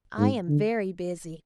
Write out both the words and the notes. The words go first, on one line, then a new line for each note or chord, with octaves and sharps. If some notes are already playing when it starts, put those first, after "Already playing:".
I am very busy.'
G#2
D3